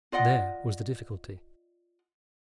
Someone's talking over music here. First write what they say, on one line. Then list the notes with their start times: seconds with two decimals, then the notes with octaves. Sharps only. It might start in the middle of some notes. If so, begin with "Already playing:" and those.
There was the difficulty.
0.12 F4 D5 D#5 F#5